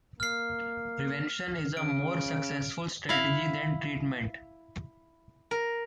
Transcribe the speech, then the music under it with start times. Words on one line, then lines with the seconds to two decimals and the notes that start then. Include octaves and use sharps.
Prevention is a more successful strategy than treatment.
0.20 A#3 F6 C7
1.77 C#3 D7
3.09 E4 F5
5.51 A#4